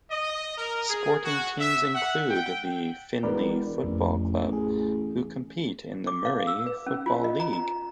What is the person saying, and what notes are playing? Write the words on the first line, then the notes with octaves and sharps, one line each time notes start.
Sporting teams include the Finley Football Club, who compete in the Murray Football League.
D#5
A#4
G#4
F#4
E5
F#5
G5
E1 A#4 B4 D5
A1 F2
G#4
D6
F5
E6
B4
C#4
F4
D#5
A#5
A#5